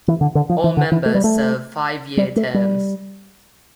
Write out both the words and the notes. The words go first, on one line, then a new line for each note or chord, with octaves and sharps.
All members serve five-year terms.
E3
D3
D3
F3
E3
D3
E3
A3
G3
A3
G3
A3
G3